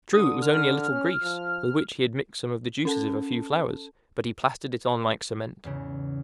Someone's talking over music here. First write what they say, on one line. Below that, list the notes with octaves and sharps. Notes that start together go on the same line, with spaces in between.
True, it was only a little grease, with which he had mixed some of the juices of a few flowers, but he plastered it on like cement!
D3 D#6
F6
C#4
F3
C#4 A4 A5
E2 G#2 C#3